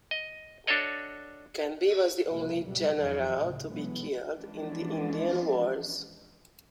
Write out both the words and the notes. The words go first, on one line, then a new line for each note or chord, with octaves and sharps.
Canby was the only general to be killed in the Indian Wars.
D#5
D4 F#4 A4 C#5 D#5
C#2 G2 C3 F3 A#3
G2 B2 F#3 G3
F2 G#2 D#3 F3 F#3
A1 D2 A#2 C#3
B2 E3 F#3 G#3 A3 B3
E3 F3 G#3 B3 C#4 D4